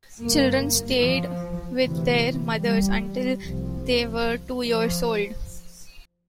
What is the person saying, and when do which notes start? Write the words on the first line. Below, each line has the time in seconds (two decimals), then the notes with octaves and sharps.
Children stayed with their mothers until they were two years old.
0.20 G1 G2 A#3
1.00 F3
1.80 D2 C3 E3
2.61 G3
3.41 C2 C3 F3
4.61 F3